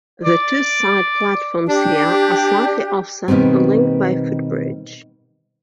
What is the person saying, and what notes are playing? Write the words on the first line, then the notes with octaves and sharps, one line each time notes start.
The two side platforms here are slightly offset and linked by a footbridge.
D5
D4 G4
B2 D#3 G3 B3 C4